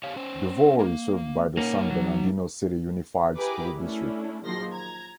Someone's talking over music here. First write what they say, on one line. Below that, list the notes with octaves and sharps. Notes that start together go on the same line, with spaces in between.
Devore is served by the San Bernardino City Unified School District.
G4 C#5 F5
C#4 C5
A#3
A#3 C#4 D#4 C#5 F#5
F#3
E4 G4 G#4 A#4 B4 D6
A3 C#4 D4 E4
A#1 D#3 F3 F#3 C6 A#6
A#5 G#6